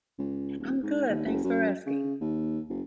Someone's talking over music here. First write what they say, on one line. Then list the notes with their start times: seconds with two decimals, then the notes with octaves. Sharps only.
I'm good, thanks for asking.
0.19 C#2
0.60 D#1
0.83 G#2
1.09 D#2
1.26 F#1
1.44 F#2
1.86 C#3
2.21 D#2
2.70 F#1